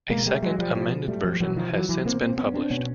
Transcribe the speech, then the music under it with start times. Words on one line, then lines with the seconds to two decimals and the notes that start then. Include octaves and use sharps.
A second, amended version has since been published.
0.10 B2 G#3 A#3
0.26 G3 A3
0.42 F#3 G#3
0.59 F3 G3
0.75 B2 F3 G3
1.08 G3 A3
1.24 F3 G3
1.40 B2 E3 F#3
1.56 D#3 F3
1.73 E3 F#3
1.89 E3 F#3
2.05 B2 A#3 C4
2.21 A#3 C4
2.38 B3 C#4
2.54 C4 D4
2.70 B2 B3 C#4